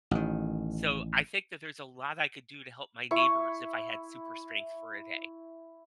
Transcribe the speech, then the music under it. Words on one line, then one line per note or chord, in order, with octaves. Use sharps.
so I think that there's a lot I could do to help my neighbors if I had super strength for a day.
A1 D#3
E4 C#6